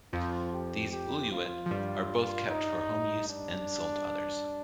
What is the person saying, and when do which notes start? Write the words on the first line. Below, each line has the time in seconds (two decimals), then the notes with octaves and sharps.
These uluit are both kept for home use and sold to others.
0.13 F2 F3 F4
0.53 G4
0.92 G4
1.32 F4
1.66 F3
1.71 G2 G3
2.50 D#4
3.28 D4